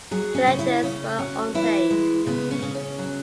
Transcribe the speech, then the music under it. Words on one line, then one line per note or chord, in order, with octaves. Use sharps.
The lectures were unpaid.
F#3 G#4
C#4
C#3
E4
C#3 C#4
F#3 C#4
E3 E4
G#3
C#3 B3
C#4
C#3
C#4
F#3